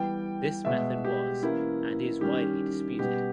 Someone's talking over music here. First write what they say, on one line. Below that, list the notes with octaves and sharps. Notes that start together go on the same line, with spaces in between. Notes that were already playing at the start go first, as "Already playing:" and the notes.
This method was and is widely disputed.
Already playing: E3 G3 B3 G5
B2 G#3 B3 E5
G4
E3 A#3 C#4 E4
D#3 G3 C#4 G4
B2 G3 B3 G4